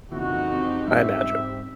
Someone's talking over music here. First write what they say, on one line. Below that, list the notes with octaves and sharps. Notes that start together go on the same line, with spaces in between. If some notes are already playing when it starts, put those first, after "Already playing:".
I imagine,
F2 A#2 C#3 E3 D#4 F#4
C4 G4
G#2 G3 C#4 E5